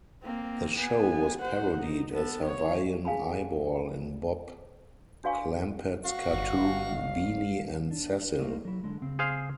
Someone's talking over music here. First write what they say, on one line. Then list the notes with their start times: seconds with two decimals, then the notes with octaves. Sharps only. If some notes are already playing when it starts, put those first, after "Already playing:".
The show was parodied as "Hawaiian Eyeball" in Bob Clampett's cartoon "Beany And Cecil".
0.23 A#3 C4
0.77 B3 G#5
1.40 C5 F#5
1.81 D#4
2.12 B3 A4
2.45 C#5
3.05 G#4 F5 G#5 A5 B5
5.24 D4 F#4 D5 F5 G#5 C#6
6.04 F#4 F5
6.32 G1 F5
7.91 D4
8.40 A3 A#3 D#4
8.65 F#3 E4
8.84 D3 G#3
9.02 C#3 C4
9.19 G#4 C5 F5